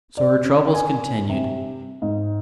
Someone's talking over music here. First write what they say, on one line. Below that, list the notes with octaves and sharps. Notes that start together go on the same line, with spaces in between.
So her troubles continued.
D5
C#4
G#5
C3
G#2